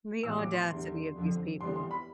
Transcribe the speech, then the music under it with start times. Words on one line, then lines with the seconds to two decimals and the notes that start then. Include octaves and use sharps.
The audacity of these people.
0.23 A2 E3 G3 B3 E6
0.38 D6
0.54 C6
0.69 E2 D3 G3
1.16 F2 D3 F3
1.60 F2 E3 G3 B3 C6
1.76 C6
1.91 B5